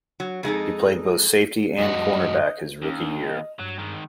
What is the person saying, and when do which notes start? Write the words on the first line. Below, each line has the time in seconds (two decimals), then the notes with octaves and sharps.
He played both safety and cornerback his rookie year.
0.20 F#3
0.43 F2 G#3 D#4 A4
1.78 F#2 G#3 F#4 D#5
2.82 D#2 C#4
2.97 D4
3.25 D#5
3.59 G2 F#3
3.79 D#3 G#3